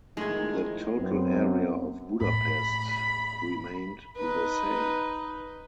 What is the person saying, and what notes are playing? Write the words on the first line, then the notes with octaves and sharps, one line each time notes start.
The total area of Budapest remained the same.
D#3 F3 G#3 A3 D#4 E4 G#6
F#2 B3 C4
A2 B5
D#4 B4